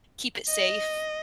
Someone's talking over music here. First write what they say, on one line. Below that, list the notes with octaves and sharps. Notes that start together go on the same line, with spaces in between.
keep it safe.
D#5